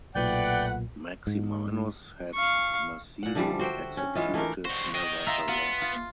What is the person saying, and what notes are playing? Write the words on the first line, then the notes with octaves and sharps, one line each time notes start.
Maximinus had Macedo executed nevertheless.
B1 A#2 A3 B4 D5 F#5 G5 G6
G#2
F5 C#6
A#2 F#5
D3 E3 F3 G3
F#4 C5 E5 G5
C#4
E3 G#3 F4
E3 A3 D4 A#4
G2 F#4 C5
D#5 G5
F4 E5 A#5
B3 F4
F4